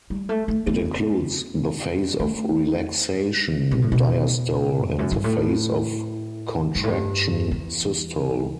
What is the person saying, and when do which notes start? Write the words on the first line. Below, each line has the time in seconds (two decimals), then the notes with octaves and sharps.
It includes the phase of relaxation diastole and the phase of contraction systole.
0.10 G3
0.29 A3
0.48 A3
0.67 B3
2.20 A3
3.71 B2
3.82 A2
3.92 B2
4.86 E2
4.99 F#2
5.12 G2
5.24 A2
6.75 G2
6.84 A2
6.90 G2
7.51 E2